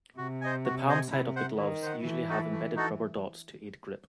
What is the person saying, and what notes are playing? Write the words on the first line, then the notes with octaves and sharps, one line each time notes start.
The palm-side of the gloves usually have embedded rubber dots to aid grip.
C3 F#4
C5 D#5 G#5
F#4
C5 D#5 G#5
C3 E4
C5 F#5
D#3 E4
C5 F#5
E3 A3
D#4 F#4 A4
A3
D#4 F#4 A4